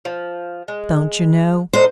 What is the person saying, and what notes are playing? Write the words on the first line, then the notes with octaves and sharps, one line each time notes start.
Don't you know?'
F3
G#3
A2 D3 D#4 C5